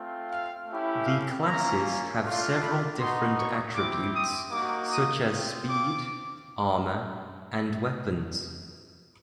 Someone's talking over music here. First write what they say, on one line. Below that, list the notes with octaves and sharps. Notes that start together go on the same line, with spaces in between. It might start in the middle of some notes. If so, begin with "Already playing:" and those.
The classes have several different attributes, such as speed, armor and weapons.
Already playing: A3 C4 F4
F5
A3 C#4 E4 G4
F5
A#3 C#4 F4 A#5
A3 D4 F4
B5
B3 D#4 F#4 C6
C#6
C4 E4 G4 D6
D#6
A#3 D#4 F#4 D6
D#6
C4 F4
D6